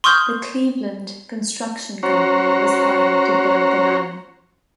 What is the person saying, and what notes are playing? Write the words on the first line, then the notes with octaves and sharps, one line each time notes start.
The Cleveland Construction Company was hired to build the line.
C6 C#6 D#6 F6 G6
C#4 F#4 C5 C#5 A#5